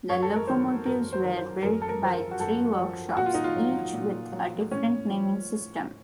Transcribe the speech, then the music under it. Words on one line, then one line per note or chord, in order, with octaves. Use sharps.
The locomotives were built by three workshops, each with a different naming system.
F#2 C#5
A4
A#4
D#3 F#3 C5
F#2 A#4
C5
D#3 F#3
C5
F#2 A#4
A4
A#4
F3 C5
A#4
F#4
F#2 A4
F3
A#2 F#4
F4
D#4
F4
F#3
A#2
F#3
A2 C#4
F3